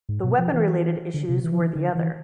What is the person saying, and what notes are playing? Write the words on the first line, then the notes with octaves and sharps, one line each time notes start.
The weapon-related issues were the other.
G#2
B2
F3
E3
D3
C3
E3
F3
E3
D3
E3